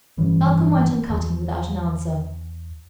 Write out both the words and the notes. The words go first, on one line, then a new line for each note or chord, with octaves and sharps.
Malcolm went on cutting, without an answer.
F1 G2 E3 C#4
E2